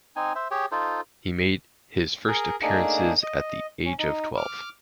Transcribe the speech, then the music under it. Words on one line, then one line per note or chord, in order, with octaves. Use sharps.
He made his first appearances at the age of twelve.
C4 D#4 G#5
C5 E5
G4 G#4 C#5 G5
D#4 F4 A4 C5
G#4 A#4
A3 A#3 D4 D#4 G#4
D#5
C#4
D#4
D6 F6